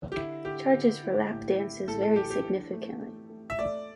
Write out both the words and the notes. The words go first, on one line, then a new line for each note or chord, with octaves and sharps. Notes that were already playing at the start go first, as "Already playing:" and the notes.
Charges for lap dances vary significantly.
G4
D3 E4
D3 G4
D3
E4
A2
E4
A2 A4
A4
E3 G4
G4
D4
A3
A3
A3
E5
A3 D5